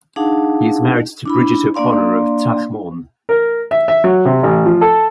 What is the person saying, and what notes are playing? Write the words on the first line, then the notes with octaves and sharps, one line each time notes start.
He is married to Brigid O'Connor, of Taghmon.
D4 D#4 G#4 F5 F#5 A5
D4 E4 B5
A#3 D4 D5 F5 C6
A#4
E5
E5
F#3
C3
A1
F3
A4